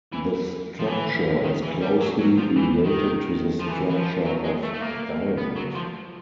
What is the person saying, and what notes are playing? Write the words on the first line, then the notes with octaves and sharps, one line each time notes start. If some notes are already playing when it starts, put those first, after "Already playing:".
The structure is closely related to the structure of diamond.
E3
F3
E3
D#3
E3
G3
F#3
F#3
F3
E3
D#3
F3
E3
E3
F3
F#3
G#3
A3
A3
A#3
B3
F#3
F3